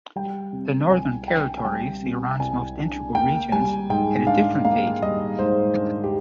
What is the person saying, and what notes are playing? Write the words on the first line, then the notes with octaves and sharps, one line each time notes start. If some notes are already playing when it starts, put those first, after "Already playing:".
The northern territories, Iran's most integral regions, had a different fate.
G3 G5
C3
C2 G#5
D4 G5
G#5
G3 G5
C3
C2 G#5
D4
A#3 G5
G3 G#5
G#2 G5
D4 F5
A#3 F5
G3 D#5
G#2 C5
D4
G4